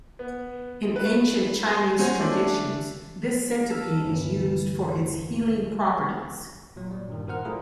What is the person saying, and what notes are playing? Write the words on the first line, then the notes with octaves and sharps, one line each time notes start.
In ancient Chinese traditions, this centipede is used for its healing properties.
B3
B4
C#4 F#4 C5 G#5
A3 D4
A5 E6 F6 B6
G1 D2 E3
A#2 F#3
G3
G2 A#2 D#3
D#3 F#4 A#4 C5 F#5 F6
G3 A3 E4 F4 G#4 A#4